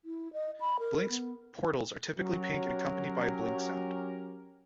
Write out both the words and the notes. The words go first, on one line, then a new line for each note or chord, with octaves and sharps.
Blink's portals are typically pink and accompanied by a "Blink" sound.
E4
D#5
B5
A#4
B3
F#3 C#4 G4 A#4